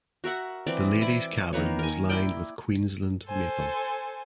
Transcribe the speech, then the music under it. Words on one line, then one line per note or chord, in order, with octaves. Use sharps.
The ladies cabin was lined with Queensland maple.
F#4 A#4 E5 F#5
E3 C4 D5
E4 D5
D#3 A#3 B4 C#5
A#4 G#5
E4 D5 G5
A4 C5 G#5